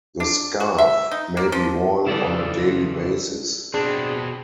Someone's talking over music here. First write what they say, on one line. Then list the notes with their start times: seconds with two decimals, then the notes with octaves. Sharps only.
The scarf may be worn on a daily basis.
0.20 D4
0.60 F#4
0.78 E5
1.12 D#4
1.37 A#3
1.52 F3
2.07 C#3 E3 E4 A4 D5
3.74 B2 C4 D4 G#4